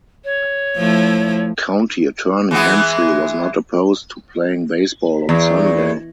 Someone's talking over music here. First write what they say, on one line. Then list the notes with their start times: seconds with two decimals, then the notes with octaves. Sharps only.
County attorney Hensley was not opposed to playing baseball on Sunday.
0.24 C#5
0.76 F3 A3 E4
2.51 E3 G#3 B3
5.29 E2